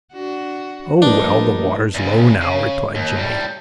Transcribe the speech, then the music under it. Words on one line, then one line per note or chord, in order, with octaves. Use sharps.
"Oh, well, the water's low now," replied Jimmie.
D4 F#4
A#1 G3 A3 D4 D#4 A#4 B4
E2 C#3
C#3
D#2
A2 G3